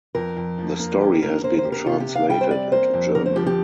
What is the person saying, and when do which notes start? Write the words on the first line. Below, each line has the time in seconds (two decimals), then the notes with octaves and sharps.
The story has been translated into German.
0.15 F2 A#4
0.37 F2
0.58 F3
0.80 A#3
1.00 D3 G4
1.22 D3 A#4
1.43 A#3 C5
1.58 C5
1.65 G4
1.72 A#4
1.86 C3 F4
2.00 G4
2.08 C3
2.15 F5
2.30 G3 G5
2.41 C5
2.51 C4 D5
2.72 A#3 C5
2.94 F2
3.15 D3 A#4
3.26 C5
3.36 F3 G4
3.47 G4